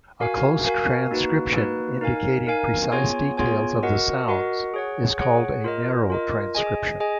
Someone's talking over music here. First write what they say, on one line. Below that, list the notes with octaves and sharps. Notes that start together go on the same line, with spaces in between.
A close transcription, indicating precise details of the sounds, is called a "narrow transcription".
F#4 A#4 F5 G#5
F#4 A#4 F5 G#5
A#3 D#4 F#4 B4
A#3 D#4 F#4 B4
D#4 A#4 F5 G#5
D#4 A#4 F5 G#5
B3 F4 G#4 C#5 G#5
B3 F4 G#4 C#5 G#5
F#4 A#4 D#5 F#5
F#4 A#4 D#5 F#5
G#4 C#5 F#5
G#4 C#5 F#5
F4 A#4 D#5
F4 A#4 D#5
G#4 D#5 G#5
G#4 D#5 G#5